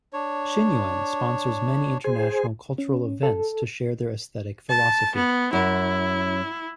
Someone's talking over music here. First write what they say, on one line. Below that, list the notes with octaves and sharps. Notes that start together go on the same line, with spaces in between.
Shinnyo-en sponsors many international cultural events to share their aesthetic philosophy.
D4 C#5
G#4 C5 G#5
C#4
A4
A5
B3
F#2 E4